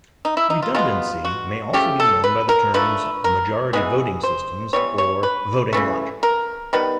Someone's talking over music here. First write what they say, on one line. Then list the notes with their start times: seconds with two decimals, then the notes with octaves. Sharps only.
Redundancy may also be known by the terms "majority voting systems" or "voting logic".
0.25 D#4
0.37 E4
0.50 D#4
0.62 F4
0.75 B2 G#3 B3 F4
1.25 F#4
1.73 C#3 F3 A3 G4
2.00 A4
2.24 B4
2.49 A#4
2.74 D3 F3 A3 B4
3.24 A#4
3.73 E3 G#3 B3 G#4
4.23 C5
4.73 E3 G3 B3 C#5
4.98 C#5
5.23 B4
5.73 C#3 E3 A3
6.23 A#4
6.73 D#3 G3 B3 B4